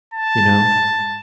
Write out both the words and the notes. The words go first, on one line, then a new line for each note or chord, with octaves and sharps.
you know?
A5